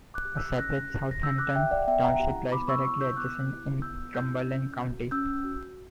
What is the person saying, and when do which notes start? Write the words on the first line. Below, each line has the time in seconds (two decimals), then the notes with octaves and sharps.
A separate Southampton Township lies directly adjacent in Cumberland County.
0.14 D6 F#6
0.25 G4
0.36 E6 G6
0.58 C#4 F#6 A#6
0.90 G4
1.11 A#6
1.22 C#4 E6 G6
1.38 D6 F#6
1.55 G4 E5 G5
1.71 D5 F#5
1.87 B3 E5 G5
2.04 F#5 A#5
2.20 E4 G4
2.52 B3 B5 D6
2.68 C#6 E6
2.84 E4 G4 C#6 E6
3.01 E6 G6
3.17 B3 D6 F#6
3.49 E4 G4
3.82 B3 E6 G6
4.14 E4 G4 E6 G6
4.46 C#4
4.79 F#4
5.11 C#4 E6 G6
5.44 F#4